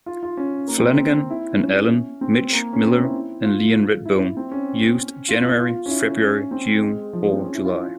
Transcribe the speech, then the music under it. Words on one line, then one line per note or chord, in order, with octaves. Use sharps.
Flanagan and Allen, Mitch Miller and Leon Redbone used January, February, June or July.
F4
F4
C#4
A#3
C4
E4
C#4
C4
A#3
C#4
C4
C#4
E4
F4
E4
C4
C#4
F4
F4
C#4
E4
C#4
C4
G#3
F3
C4
C#4
E4
F4